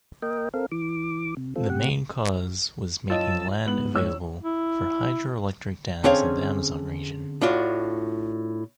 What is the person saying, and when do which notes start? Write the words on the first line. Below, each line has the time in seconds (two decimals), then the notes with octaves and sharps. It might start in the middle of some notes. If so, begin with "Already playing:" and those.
The main cause was making land available for hydroelectric dams in the Amazon region.
0.22 A#3 A#4 D#5 G5
0.54 C4 A4 A#4 F5
0.71 E3 D6
1.37 C3
1.56 C4 F4 A4
1.70 A2 C3 G4 F#5
3.10 F#2 F4 C#5 D#5 A5 E6
3.66 G#2 B3 F#7
3.94 A#1 C#5 E6
4.43 E4
6.04 D3 C4 C#4 G#4 F5
7.41 A2 D4 F4 F#4